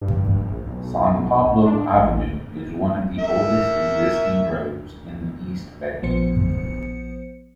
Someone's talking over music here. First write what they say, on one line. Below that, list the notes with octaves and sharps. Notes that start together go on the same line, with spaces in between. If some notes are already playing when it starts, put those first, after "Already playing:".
San Pablo Avenue is one of the oldest existing roads in the East Bay.
G2
A#1
B1
D4
A1
A#4 E5
A#1 F3 B3 C5 C#7